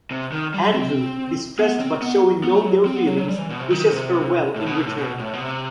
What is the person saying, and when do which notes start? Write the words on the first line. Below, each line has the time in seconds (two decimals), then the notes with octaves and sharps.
Andrew, distressed but showing no ill-feelings, wishes her well in return.
0.11 C3
0.32 D#3
0.54 G3
0.74 C4
1.59 B3
1.80 C4
2.02 B3
2.44 B3
2.55 A3
2.65 F#3
2.86 C4
2.96 B3
3.07 F#3
3.18 F#3
3.29 G3
3.38 E3
3.50 B2
3.60 C3
3.70 D#3
3.92 C3
4.56 A2
4.66 B2
4.77 C3
4.87 A2
4.98 B2
5.20 A2
5.33 B2
5.40 C3